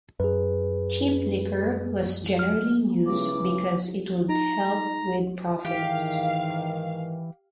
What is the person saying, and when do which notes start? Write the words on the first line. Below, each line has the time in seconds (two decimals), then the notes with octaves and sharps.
Cheap liquor was generally used because it would help with profits.
0.20 F#2 G#4 B4
2.39 F6
3.06 C#3 E4 B4 D6
4.29 D#4 A#5
5.65 G#2 D#3 E3 G4 F5